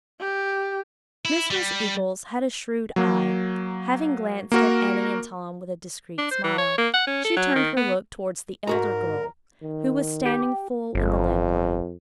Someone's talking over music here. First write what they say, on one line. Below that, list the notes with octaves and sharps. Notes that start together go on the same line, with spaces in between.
Mrs. Eagles had a shrewd eye; having glanced at Annie and Tom with a discreet smile, she turned her look towards the elder girl, who was standing full in the lamplight.
G4
E4
G3
F#3 A#3
A#3 F#4 A#4
D4
C5
E3
C#5
A#3
F#5
C#4
A4
F#3
D#3
B3
G#2 F#4 A#4 A#5
D#3
G4
G1 F2